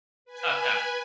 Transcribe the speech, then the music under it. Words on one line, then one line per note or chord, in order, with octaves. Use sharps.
Stuff out.
B4 G#5